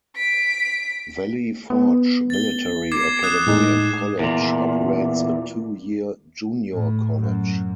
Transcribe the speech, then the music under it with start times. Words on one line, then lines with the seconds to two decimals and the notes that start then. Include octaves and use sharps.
Valley Forge Military Academy and College operates a two-year junior college.
0.16 B6 D7
1.70 B3
2.30 A6 G7
2.92 D6 G#6 C7
3.23 D#6 F#6 E7
3.47 A2 G#3 D#4
4.19 E2 A#2
6.72 A2
7.18 F#2